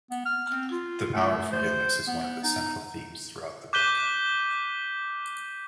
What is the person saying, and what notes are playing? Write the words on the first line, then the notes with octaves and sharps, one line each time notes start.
The power of forgiveness is one of the central themes throughout the book.
B3
F6
C4
F4
A3
C5
B3
D#4
D6 F#6 G6 B6 D#7 G7